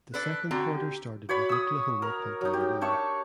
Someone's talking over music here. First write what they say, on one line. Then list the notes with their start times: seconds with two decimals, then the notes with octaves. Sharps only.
The second quarter started with Oklahoma punting the ball.
0.14 D4 A4 B4 F#6
0.51 D3 C4 F#4 A#5
0.75 G4
1.29 F#4 C#5 D5 B5
1.49 D#6 E6
2.02 A#4
2.41 F#3 D#4
2.53 G4
2.81 D4 C#5 E5 C#6